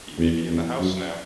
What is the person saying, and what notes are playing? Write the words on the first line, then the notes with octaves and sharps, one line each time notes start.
He may be in the house now!
E2
E2
F#2